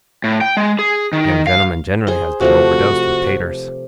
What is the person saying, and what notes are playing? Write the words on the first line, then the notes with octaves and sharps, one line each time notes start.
'Young gentlemen generally has been overdosed with taters.'
A2
G5
G#3
G#4
D#3
F5
G#4 C5 C6
C3 F3 A3 F#4